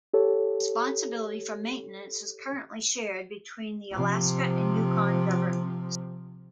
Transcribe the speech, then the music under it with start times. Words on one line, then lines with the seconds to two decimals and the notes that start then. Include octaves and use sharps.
Responsibility for maintenance is currently shared between the Alaska and Yukon governments.
0.14 G4 A4 C#5
3.91 C3 F3